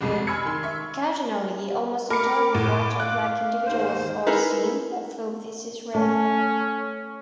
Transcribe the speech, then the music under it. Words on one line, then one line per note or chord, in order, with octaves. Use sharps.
Occasionally almost entirely white or black individuals are seen, although this is rare.
F1 C2 F2 G#3
G#5 B5 E6 F6 G#6 C#7
D#3 C6
E5 C#6
A#4 B5 D6 C#7
A2 F#5
F5 F#6
D#2 G#2 C5
D#4 E4 G#4 A#4 B4
A3 C#4